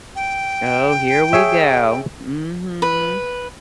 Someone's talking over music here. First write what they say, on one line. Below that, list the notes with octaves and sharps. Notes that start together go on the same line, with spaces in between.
Oh, here we go. Mhm.
G5
G#4 C#5 E5
B4